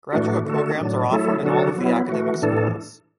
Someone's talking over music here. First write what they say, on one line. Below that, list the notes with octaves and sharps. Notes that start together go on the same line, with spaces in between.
Graduate programs are offered in all of the academic schools.
A2 E3 A3 D4 F#4
D3 A3 F#4 A4
A2 F#3 D4
F#3 A3 E4 A4
D3 F#3 D4 F#4 A4
F#3 B3 E4
E3 A3 F#4
A2 E3 D4 A4